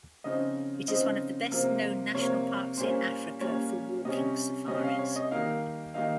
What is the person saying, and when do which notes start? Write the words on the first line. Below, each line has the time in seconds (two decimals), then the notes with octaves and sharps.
It is one of the best-known national parks in Africa for walking safaris.
0.24 C#3 F3 C4 D#4 D#5
0.88 C#3 F3 C4 D#4 D#5
1.52 C3 F3 A#3
2.14 C3 F3 A#3 C#5
2.77 A#2 G3 A#3 C#4 C5
3.41 A#2 G3 A#3 C#4 C#5
4.05 C3 G3 C#4 D#5
4.67 C3 G3 C#4 D#5
4.84 F5
4.99 C#5
5.16 D#5
5.31 D#3 G3 A#3 D#4 F5
5.94 D#3 G3 A#3 D#4 F5